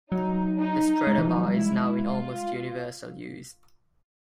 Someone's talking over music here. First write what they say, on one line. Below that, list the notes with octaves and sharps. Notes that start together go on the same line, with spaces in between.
The spreader bar is now in almost universal use.
F#3 D#4
D#4
G#3
E3
F3
F#3
G3
G#3 E4
F4